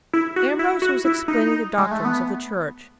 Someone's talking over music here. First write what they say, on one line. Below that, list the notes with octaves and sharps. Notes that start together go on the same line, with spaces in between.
Ambrose was explaining the doctrines of the Church.
E4
F#4
E4
F#4
E4
D#4
G#3
A3
B3